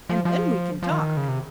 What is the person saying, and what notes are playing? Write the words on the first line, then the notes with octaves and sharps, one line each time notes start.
And then we can talk.
F3
F3
F3
D#3
C#3
C3